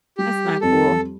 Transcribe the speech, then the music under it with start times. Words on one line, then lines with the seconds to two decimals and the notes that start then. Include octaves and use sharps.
That's not cool.
0.18 G3 G4
0.61 F2 A4